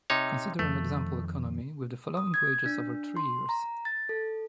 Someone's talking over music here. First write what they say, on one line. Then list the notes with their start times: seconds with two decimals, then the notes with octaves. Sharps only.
Consider an example economy with the following wages over three years.
0.10 C3 D#4 C#5
0.59 F2 D#3 F3 A3
2.17 D#6
2.34 G#6
2.66 D4
3.17 C6
3.49 A#5
3.85 A6
4.09 A4